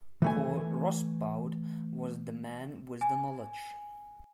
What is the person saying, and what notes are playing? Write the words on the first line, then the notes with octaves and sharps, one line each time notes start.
Paul Rosbaud was the man with the knowledge.
E3 A3 G#5
G#5